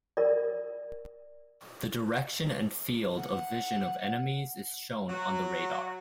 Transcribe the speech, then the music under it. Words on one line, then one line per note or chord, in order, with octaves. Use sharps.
The direction and field of vision of enemies is shown on the radar.
A#4 D5
F#5
F#3 F#4